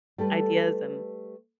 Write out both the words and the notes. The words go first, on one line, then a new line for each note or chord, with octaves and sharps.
ideas and
G3 A3 A4 B4